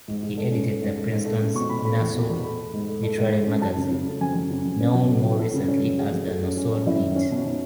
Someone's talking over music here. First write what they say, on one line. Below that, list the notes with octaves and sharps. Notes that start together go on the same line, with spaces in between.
He edited the Princeton's "Nassau Literary Magazine", known more recently as "The Nassau Lit".
G#2
G#2
A3
C#4
A3
G#2
A3
G#2
A3
C#4
B2 C#6
B2 B5
A3 B5
E2
B2
E2
A3 B5
A3
G#2
A3
A3
G#2
G#2
C#4
F#3 A5
C#3
C#3
A3
F#2 G#5
F#2
C#3
F#2
C#4 B4
F#3
A3
F#3
F#3 A4
C#3
C#4
F#3
A3 G#4
F#2
A3 F#4
C#4
C#4
C#4
F#2 E4
D#3
C#4
B2
B2 D#4